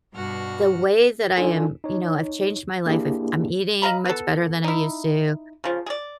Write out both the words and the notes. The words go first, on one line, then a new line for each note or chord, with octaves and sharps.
the way that I am You know, I've changed my life, I've I'm eating much better than I used to,
G2 B2 G3 F#4 F#5 F6
D4 D#4 F4 A4 G#5
D#4 C#5
A#3 D4 E4 G4 G#4
D#5 F5 A#5 B5
B3 A4
D#4 E4
C#3 F3
G#4 D5